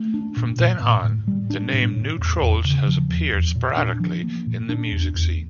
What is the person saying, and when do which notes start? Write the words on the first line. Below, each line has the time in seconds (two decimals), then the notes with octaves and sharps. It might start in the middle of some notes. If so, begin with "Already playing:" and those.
From then on, the name New Trolls has appeared sporadically in the music scene.
Already playing: A3
0.14 D4
0.37 A#2
0.60 A#2
0.82 A2
1.04 A2
1.28 G3
1.50 D4
1.73 A2
1.96 A2
2.19 E2
2.41 E2
2.64 C#3
2.87 F3
3.09 E2
3.33 E2
3.55 A#2
3.77 D4
4.00 F3
4.23 A#3
4.47 A#2
4.69 D4
4.91 E2
5.14 E2